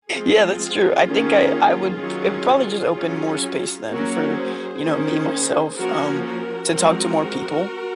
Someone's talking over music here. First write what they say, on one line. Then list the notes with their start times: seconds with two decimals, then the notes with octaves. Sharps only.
Yeah, that's true. I think I I would it would probably just open more space then for, you know, me, myself, um, to talk to more people,
0.11 F3 G#3 C4 F4 G#4
1.06 D#3 A#3 C#4
2.00 D#3 F#3 C#4
2.94 F#3 C#4
3.89 F#3 A#3 C#4 F#4 A#4
4.36 G#4 C5
4.83 D#3 A#3 C#4
5.77 F3 A#3 C#4 F#4 A#4
6.25 F#4 A#4
6.72 F3 G#3 C4